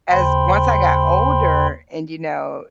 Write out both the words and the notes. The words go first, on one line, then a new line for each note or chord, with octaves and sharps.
as once I got older and, you know,
D#2 C#3 C5 G5 B5 C6